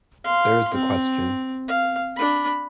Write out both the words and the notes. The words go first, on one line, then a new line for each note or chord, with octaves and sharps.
There is the question.
F5 C6
C4
F5
D4 B5